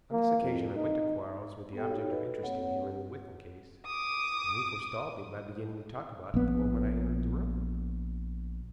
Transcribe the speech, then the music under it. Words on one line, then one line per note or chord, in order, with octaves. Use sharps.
On this occasion I went to Quarles with the object of interesting him in the Withan case, and he forestalled me by beginning to talk about it the moment I entered the room.
A#3
F2
D#4
B3 G4 A4 G5
D#4 F#4 G4 C#5 F5
A4 B4 D#5 B5
A#3 C4 C#5 F#5
G4
D6 D#6
A#1 B3